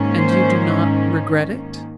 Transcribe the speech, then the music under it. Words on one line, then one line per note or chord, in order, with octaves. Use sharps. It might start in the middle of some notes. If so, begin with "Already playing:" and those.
"And you do not regret it?"
Already playing: G#2 D#3 A#3 C#4
C5